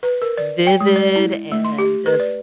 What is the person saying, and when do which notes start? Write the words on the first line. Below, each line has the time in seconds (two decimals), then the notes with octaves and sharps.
vivid and just
0.03 B4
0.22 A#4
0.37 D5
0.67 G5
0.81 G#3
0.96 D5
1.16 E4
1.52 A3
1.65 C6
1.78 G4
2.06 B4
2.20 D5